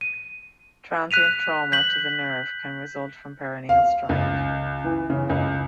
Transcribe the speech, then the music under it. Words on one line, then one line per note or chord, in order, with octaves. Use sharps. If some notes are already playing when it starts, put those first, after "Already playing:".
Transient trauma to the nerve can result from peroneal strike.
D#7
F#6 B6 D#7 F7
G6 B6 F#7
F5
C#2
E3
C#3
C#2